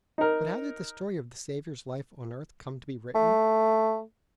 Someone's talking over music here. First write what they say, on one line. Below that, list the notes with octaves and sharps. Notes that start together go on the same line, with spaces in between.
But how did the story of the Saviour's life on earth come to be written?
D#4 A#4
A3